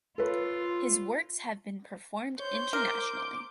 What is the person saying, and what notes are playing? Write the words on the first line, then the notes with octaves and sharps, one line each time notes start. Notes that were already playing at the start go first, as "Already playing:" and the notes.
His works have been performed internationally.
F4 A4 B4 C#5
C5 C#5 G6
A#4 D6